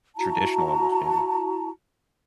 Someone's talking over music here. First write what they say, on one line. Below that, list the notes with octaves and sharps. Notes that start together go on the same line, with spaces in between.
traditional, almost, yeah.
E4 F#4 A5 A#5